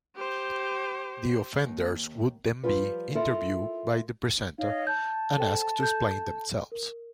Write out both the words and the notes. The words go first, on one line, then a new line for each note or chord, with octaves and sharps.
The offenders would then be interviewed by the presenter and asked to explain themselves.
G4 C5
D#2
F3 G3 F4 B4
E4 F4 A4 A#4
D#4 C#5 D#5 F5
A5 G6
A4 C5 G5
A4 G6
A#4